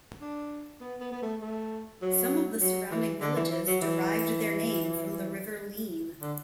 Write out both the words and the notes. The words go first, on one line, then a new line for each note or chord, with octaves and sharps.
Some of the surrounding villages derived their name from the River Leen.
D4
B3
B3
B3
A3
A3
F#3
F#3
E3
D3
E3
E3
F#3
E3
D3